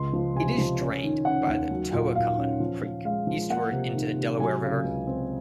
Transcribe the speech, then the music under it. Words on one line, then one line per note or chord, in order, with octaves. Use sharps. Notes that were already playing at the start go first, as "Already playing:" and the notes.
It is drained by the Tohickon Creek eastward into the Delaware River.
Already playing: C#2 C6
F3
C3 G#5
F3
C#4
D#3
C#4 F#5
D#2
F#3
A#2
A#2 F5
C#4
F3
F3
G#3 F5
F3
A#3 F#5
C3
D#3
C3
F#3 G#5
C#3
C#2
C4